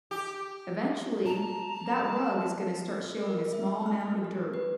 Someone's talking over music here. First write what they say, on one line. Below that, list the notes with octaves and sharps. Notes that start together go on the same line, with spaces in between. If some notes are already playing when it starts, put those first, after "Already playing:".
Eventually, that rug is gonna start showing a small amount of dirt.
G4
A5 A#5
A#4
E5
F6
F6
G4
B4